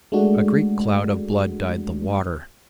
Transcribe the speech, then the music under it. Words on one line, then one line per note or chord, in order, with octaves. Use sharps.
A great cloud of blood dyed the water.
G#3 A3 D4 F#4